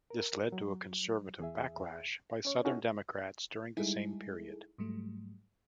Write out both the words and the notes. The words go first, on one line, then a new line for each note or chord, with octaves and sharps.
This led to a conservative backlash by southern Democrats during the same period.
A#4
F#3
E2 G#4 E5
C#4 C#5
C#4 D#4 E4 F#4 A4
G3 G#3 D#4 E4 G#4 A4
G#2 F#3 G3 A3